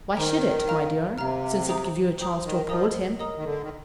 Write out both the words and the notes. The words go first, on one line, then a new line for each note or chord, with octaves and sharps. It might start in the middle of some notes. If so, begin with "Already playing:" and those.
"Why should it, my dear, since it give you a chance to uphold him?"
D#3 C5 G5 A#5
F5 A#5 F6
C3 F5 A#5 F6
C5 G5 A#5 D#6
C5 G5 A#5 D#6
D#3
F3 A#4 D#5 A#5 D#6
A#4 D#5 A#5 D#6
D#3
D3
D#3